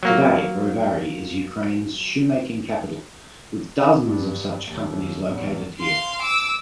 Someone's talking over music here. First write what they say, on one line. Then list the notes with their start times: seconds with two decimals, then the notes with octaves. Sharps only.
Today, Brovary is Ukraine's shoe-making capital with dozens of such companies located here.
0.03 F#3 A#3
4.06 G2
4.68 D#2
5.27 A1 E2
5.80 F5 C6
6.22 D6 E6